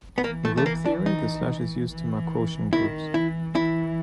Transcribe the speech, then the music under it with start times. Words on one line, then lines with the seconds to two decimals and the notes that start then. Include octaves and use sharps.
In group theory, the slash is used to mark quotient groups.
0.18 B3
0.23 E3 A#3
0.45 A3
0.57 A3
0.66 A#3
0.85 D4
1.06 D#4
1.90 E3
2.73 D#3 E4
3.14 E3 E4
3.55 E3 E4